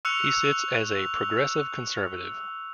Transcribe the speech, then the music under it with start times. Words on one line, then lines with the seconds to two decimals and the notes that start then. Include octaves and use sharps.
He sits as a Progressive Conservative.
0.05 C#6 E6 F#6 C#7 F7